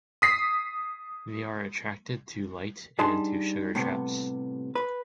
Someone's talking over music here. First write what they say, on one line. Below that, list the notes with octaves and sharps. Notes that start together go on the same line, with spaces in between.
They are attracted to light and to sugar traps.
D#6 B6 C7
G3 D4 D#4 G#4 A5 C6
A2 C3 G3 B3
B4